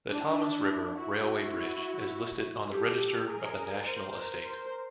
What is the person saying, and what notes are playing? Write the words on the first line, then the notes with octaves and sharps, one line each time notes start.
The Thomson River Railway Bridge is listed on the Register of the National Estate.
D4 E4
E4 F#4
G4 A4
G#4 A#4
A#4 C5
A#4 C5